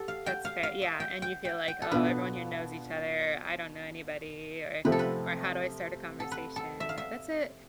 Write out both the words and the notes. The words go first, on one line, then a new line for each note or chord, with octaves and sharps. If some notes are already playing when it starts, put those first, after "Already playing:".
That's fair yeah, and you feel like, "Oh, everyone here knows each other. I don't know anybody," or or, "How do I start a conversation?" That's a
Already playing: G4 A4
F5
G5
F5
F5
E5
G5
G5
G5
G5
A4
B2 B3 D4 F4 B4
C3 F3 A3 C4 B4
A4
B4
A4
B4
A4
E5
F5
E5